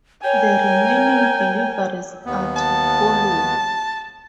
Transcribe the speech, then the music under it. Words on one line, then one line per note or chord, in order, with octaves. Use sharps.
The remaining deliveries are to follow.
A#4 C#5 G5 G#5
D#2 B3
A5